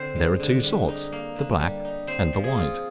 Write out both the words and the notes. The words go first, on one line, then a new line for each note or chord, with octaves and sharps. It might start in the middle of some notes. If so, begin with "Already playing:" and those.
There are two sorts, the black and the white.
Already playing: D3 C4 C5
G#3
D3
G3
D#4
A#3
D3
G3
D#4
C4 C5
F3
G#4
F4